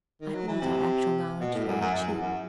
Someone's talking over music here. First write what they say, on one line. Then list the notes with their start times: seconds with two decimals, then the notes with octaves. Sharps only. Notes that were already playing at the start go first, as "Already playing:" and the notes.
I hold our actual knowledge very cheap.
0.21 D#3
0.34 F#3
0.48 E3
0.61 C3
1.41 B2
1.54 A2
1.68 F#2
1.81 F#2
1.95 F#2
2.08 E2
2.22 F#2